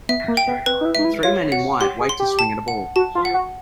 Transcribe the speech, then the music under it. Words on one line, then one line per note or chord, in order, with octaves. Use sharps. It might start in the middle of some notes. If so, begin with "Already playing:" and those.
Three men in white wait to swing at a ball.
B3 E5
A#3
G5
B3
C4 B4
D#4
E4
D#4 E5
E4
F4 C#5
F#4 F#5
G4 C6
G#4
C6
G4
A5
F#5
F#4 A5
F4
F#5
F#4